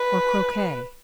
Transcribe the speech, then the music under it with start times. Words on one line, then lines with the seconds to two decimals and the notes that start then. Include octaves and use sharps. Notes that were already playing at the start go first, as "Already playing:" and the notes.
Or croquet?
Already playing: B4